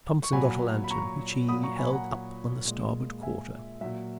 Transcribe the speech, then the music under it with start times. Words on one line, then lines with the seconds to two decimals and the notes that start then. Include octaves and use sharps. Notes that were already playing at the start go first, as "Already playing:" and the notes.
Thompson got a lantern, which he held up on the starboard quarter.
0.23 C#6
0.32 A#2 F#3 G#5 B5
0.84 B5
0.91 A#5 C#6
1.48 A#2 F#3 B5 D#6
1.63 A#5 C#6
1.78 G#5 B5
1.92 F#5 A#5
2.65 A#2 G#3
3.23 E5 G#5
3.81 A#2 F#3 E5